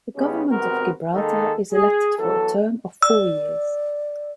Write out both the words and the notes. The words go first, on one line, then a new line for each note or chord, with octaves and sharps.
The Government of Gibraltar is elected for a term of four years.
C#3 G3 G#3 B3 C#4
G#1 C3 B3 C4 F#4 A#4
D#3 G#3 A#3 D#4 A4
G#4
E2 E3 F#3 A4
D5 E6